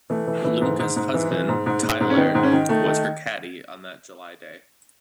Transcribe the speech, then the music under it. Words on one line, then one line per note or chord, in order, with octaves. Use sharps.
Lunke's husband, Tylar, was her caddie on that July day.
E3 A3
E3
E3
G#2
G#2
G#2
E3
E3
G#2
G#2
G#2
G#2
C#4
D#3 B3
G#2
C#4
D#3
D#3 A3
D#3